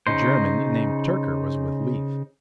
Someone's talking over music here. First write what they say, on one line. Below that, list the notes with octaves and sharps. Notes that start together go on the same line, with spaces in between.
A German, named Tyrker, was with Leif.
C#3 D#4 C5